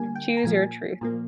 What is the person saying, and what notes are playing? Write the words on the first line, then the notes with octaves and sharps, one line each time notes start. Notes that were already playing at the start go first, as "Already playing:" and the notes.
"Choose your truth."
Already playing: D3 G3 A#3 G#5
G5
A#5
A#2 F3 A#3 G#5
A#2 F3 A#3